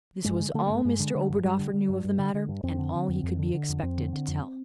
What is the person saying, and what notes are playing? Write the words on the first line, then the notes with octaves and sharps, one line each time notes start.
This was all Mr Oberdoffer knew of the matter; and all he could be expected to tell.
G2 G#3
D3
D3 A3
A#3
G2
A3
G2 G#3
D3
D3
G2
G2 G3
D3
D3
G2
G2
D3
D3
G2
F2 C4
D3
D3
F2
F2
D3
D3
F2
F2 C4
D3
D3
F2